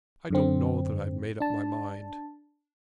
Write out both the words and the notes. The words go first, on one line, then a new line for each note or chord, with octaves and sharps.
I don't know that I've made up my mind.
F#2 D3 C4
D4 A5